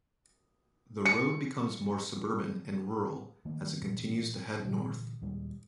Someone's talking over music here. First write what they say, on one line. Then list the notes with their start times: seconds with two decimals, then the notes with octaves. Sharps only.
The road becomes more suburban and rural as it continues to head north.
1.06 C#7
3.45 D#3 A3 A#3
3.82 A#2 E3 G#3
4.65 A#2 D3 E3
5.21 D#2 A#2 G3 G#3